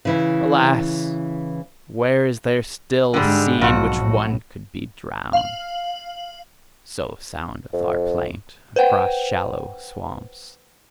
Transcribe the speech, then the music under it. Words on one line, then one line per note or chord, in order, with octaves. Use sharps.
'Alas! where is there still a sea in which one could be drowned?' so soundeth our plaint--across shallow swamps.
C#3 E3 E4
G#2 D3 G3 G#3
B1 F2 G#2 F#4
A2
F5 F#7
F2
B4 C5 F#5 G5